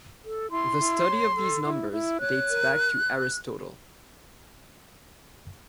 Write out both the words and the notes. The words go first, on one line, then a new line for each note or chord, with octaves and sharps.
The study of these numbers dates back to Aristotle.
A4
E4 C6
E4
C#5
A4
E4
E4
C#5 F#6
A#4